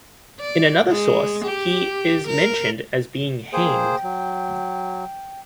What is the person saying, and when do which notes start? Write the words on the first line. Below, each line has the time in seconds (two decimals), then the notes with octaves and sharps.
In another source he is mentioned as being hanged.
0.40 D5
0.87 G#3
1.45 G4
2.28 A#4
3.53 A#3 G#4 C5 G5
4.04 F#3